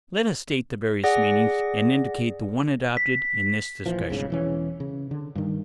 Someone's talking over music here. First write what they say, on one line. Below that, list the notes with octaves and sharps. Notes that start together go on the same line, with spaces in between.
Let us state the various meanings and indicate the one adopted in this discussion.
G#4 D5 F#5 A#6
B6
A#1 E3 F3
G1 C2 G#2 C#3
E1 E3 C#4
C#3
D3
G2 D#3